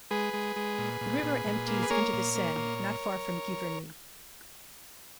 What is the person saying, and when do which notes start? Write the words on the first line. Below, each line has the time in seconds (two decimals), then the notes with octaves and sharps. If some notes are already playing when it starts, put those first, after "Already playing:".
The river empties into the Seine not far from Giverny.
0.11 G#3 G#4 B4
0.33 G#3
0.56 G#3
0.78 A#2
1.01 A#2
1.23 A#2
1.46 A#2
1.68 A#3
1.82 B4
1.90 A#3 A#4 C#5
2.13 A#2
2.35 A#3
2.58 A#2